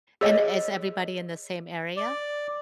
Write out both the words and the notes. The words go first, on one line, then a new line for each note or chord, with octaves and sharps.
And is everybody in the same area?
G#4 C#5 D#5
D5